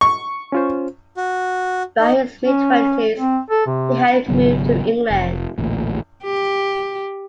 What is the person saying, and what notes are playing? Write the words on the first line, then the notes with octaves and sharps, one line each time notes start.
By his mid-twenties he had moved to England.
C#6
C#4 F4 C5
F#4
D#4
C#4
C4
A4
C3
G#1 C#3 F#3 B3
F1
A1 D2 A#2
G4